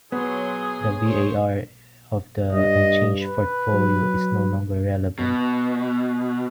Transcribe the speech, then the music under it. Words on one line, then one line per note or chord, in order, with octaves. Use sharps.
The VaR of the unchanged portfolio is no longer relevant.
F#3 B3 F4 G#4 C#5 C6
A3 C5 C#5
G2 D#5
B4
F#3
B2